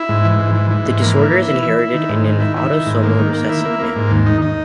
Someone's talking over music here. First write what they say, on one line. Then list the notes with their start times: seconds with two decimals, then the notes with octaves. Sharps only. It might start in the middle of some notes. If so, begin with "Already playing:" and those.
The disorder is inherited in an autosomal recessive manner.
Already playing: E4
0.09 G#2
0.25 E3
0.39 G#2
0.55 E3
0.71 E3
0.85 G#2
1.02 A#3
1.16 E3
1.32 E3
1.48 E4
1.63 E4
1.79 E4
1.94 D#3
2.09 G#2
2.25 D#3
2.40 E4
2.57 E4
2.71 D#3
2.86 G#2
3.03 A#3
3.19 D#3
3.33 A#3
3.49 E4
3.65 A#3
3.79 A#3
3.96 G#2
4.11 D#2
4.26 D#4
4.42 D#4